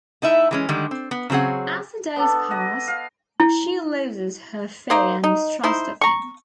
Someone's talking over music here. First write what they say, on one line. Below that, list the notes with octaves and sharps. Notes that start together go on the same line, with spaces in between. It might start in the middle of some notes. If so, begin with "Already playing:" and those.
As the days pass, she loses her fear and mistrust of him.
A3 D#4 E4 E5
E3 G#3 C#4
D3 D#3 G3 G#3
C4
B3
C#3 F#3 C4 G#4 F#5
B3 D4 A4
D#5 F#5
F5
E4
A#3 D#4 C5
D#4
D#4 E4 C5
A#5 C#6